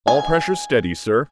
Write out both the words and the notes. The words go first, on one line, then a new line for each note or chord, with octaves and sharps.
"All pressures steady, sir."
G#5